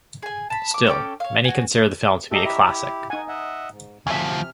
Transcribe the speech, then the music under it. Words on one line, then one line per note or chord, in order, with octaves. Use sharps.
Still, many consider the film to be a classic.
G#4 G#5
A5 B5
D6
C#4 A4 G5 D6
C#5 F5
F#4 G#5
G4 A4 D#5 E5 A#5
E4 G4 E5
D#4 F#5 G#5
D#5 E5 F#5
G#2
D2 C3 F3 E5 G#5 F6